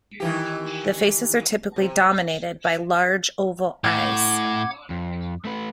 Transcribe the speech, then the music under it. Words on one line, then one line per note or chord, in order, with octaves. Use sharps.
The faces are typically dominated by large oval eyes.
D#3 E3 G4
C3
A2 F#5 D6 G#6
F2
A3 B4